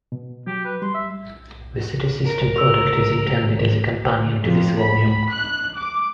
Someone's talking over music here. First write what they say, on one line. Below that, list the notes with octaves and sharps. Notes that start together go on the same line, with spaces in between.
The "City System" product is intended as a companion to this volume.
B2
F#3 G4
B4
G3 C6
E5
A#4
E6 F7
F2
B5
F#6
D6